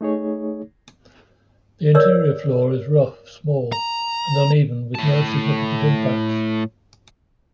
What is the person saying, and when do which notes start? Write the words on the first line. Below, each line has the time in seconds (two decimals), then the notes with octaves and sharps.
The interior floor is rough, small, and uneven, with no significant impacts.
0.01 A3 D#4 G#4 C#5
1.95 A#4 C#5 D5 E6
3.72 A#5
4.95 A2 A5